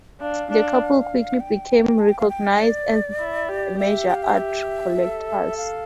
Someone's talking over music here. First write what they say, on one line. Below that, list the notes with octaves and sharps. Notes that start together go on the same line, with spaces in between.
The couple quickly became recognised as major art collectors.
D4 F5
D4
G5
A5
G5
F5
G5
D5
E4
G4
G4 E5
G5
F5
E5
F5
E5
A4
F5